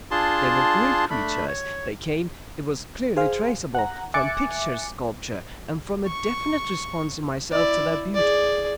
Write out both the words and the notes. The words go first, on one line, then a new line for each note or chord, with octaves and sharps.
They were great creatures. They came, it was clearly traceable, from pictures sculpture--and from a definite response in myself to their beauty.
D4 F4 G#4 A5 C6
A3 D4 B5
C#5
G#4 C5 F5
F#5 A#5
E5 G#5 D6 F#6 A6 C#7
C#6
E4 D5
G#4 D5